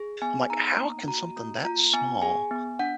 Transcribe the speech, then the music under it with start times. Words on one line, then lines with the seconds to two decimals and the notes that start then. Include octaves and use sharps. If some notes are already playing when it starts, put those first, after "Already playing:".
I'm like, "How can something that small
Already playing: G#4
0.22 B3 G#5
0.50 D#4 A#5
0.79 A#3
1.08 F#4 A#5
1.36 A#3
1.65 F4 A#5
1.94 B3 G#5
2.22 G#4 G#5
2.51 B3
2.79 D4 F#5